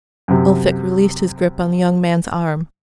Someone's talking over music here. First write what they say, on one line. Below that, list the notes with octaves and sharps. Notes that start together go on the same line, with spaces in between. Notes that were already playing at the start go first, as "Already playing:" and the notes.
Elphick released his grip on the young man's arm.
F#2 C3